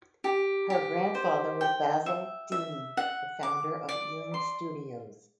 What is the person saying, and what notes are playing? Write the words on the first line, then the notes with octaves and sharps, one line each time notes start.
Her grandfather was Basil Dean, the founder of Ealing Studios.
G4
G4
C5
G5
E5
E5
F#5
D6
D5
C6